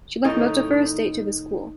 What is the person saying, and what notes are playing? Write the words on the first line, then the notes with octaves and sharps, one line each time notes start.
She left most of her estate to the school.
A2 D#3 D#4